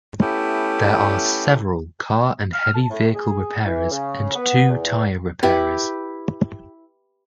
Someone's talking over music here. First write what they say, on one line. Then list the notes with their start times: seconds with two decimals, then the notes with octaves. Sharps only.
There are several car and heavy vehicle repairers and two tyre repairers.
0.21 A3 B3 C#4 E4 G4
2.53 F6
2.75 A5
2.91 A2
3.15 G#4
3.65 E3
3.91 C#3
4.35 B3
4.70 E2
5.43 E4 G4 B4